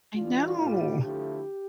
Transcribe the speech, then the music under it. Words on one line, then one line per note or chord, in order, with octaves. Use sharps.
I know.
E3 G3 D4 F4
A2 G3 D4
D3 F3 A3 E4 G4